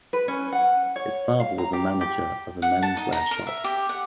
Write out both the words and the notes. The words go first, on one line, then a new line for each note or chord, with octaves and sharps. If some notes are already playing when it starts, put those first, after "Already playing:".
His father was a manager of a menswear shop.
B4
C#4
F#5
C#5
F5
A#5
G4
G4
F#5
A5
D#4
A#5
A#4
E5
G4
F#5